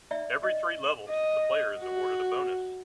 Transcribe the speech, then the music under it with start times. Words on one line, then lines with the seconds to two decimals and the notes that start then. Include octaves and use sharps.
Every three levels, the player is awarded a bonus.
0.11 D5 E5
0.43 D#5
1.09 D#5
1.79 F#4